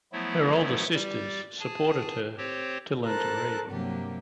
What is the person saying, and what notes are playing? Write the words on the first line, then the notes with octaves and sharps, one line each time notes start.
Her older sisters supported her to learn to read.
F3 F#3 A3 B3 E4
G3 G4 D5
G#4 G#5 A5
C4 G4 C5 C#5
A4 A#4 C5 A5 F#6
G2 C3 F#3 A#3 G4